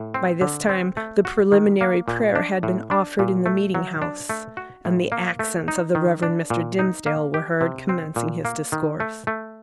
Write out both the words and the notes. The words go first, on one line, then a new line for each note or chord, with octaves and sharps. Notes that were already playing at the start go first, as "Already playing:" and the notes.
By this time the preliminary prayer had been offered in the meeting-house, and the accents of the Reverend Mr. Dimmesdale were heard commencing his discourse.
Already playing: A2
C4
D3
C4
A3
F#4
D#3
A#3
A#2
D4
A2
D4
A#2
A3
F#3
D4
A3
F#4
A2
A#3
A3
D#4
D#3
D4
A#2
D#4
A#3
G4
C3
C4
A#2
A#3
D#3
A3
A3